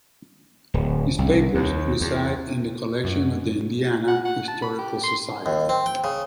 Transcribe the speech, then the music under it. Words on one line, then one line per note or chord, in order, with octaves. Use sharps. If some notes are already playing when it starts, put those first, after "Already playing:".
His papers reside in the collection of the Indiana Historical Society.
D1
C2
D#2
E2
F#2
F#5
F#5
A5
B5
G4
C6
D#2
C4
G5
C#3